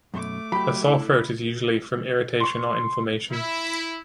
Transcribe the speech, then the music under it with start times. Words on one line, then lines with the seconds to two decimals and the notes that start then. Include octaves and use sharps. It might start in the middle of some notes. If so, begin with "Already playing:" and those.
A sore throat is usually from irritation or inflammation.
0.14 F#2 B2 A3 D6
0.52 F#3 G4 B5
0.87 E4
2.40 C6 C#6
3.31 E4